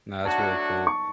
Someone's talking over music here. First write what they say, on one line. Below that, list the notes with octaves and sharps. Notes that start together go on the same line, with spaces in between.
Nah, that's really cool.
F#3 A3 D4 F#4 A5
C#6